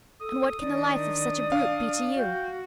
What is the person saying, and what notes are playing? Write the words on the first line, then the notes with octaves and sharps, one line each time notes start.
And what can the life of such a brute be to you?'
A4 D#6
D#3 D4 D5
D4 F5
F#4 G5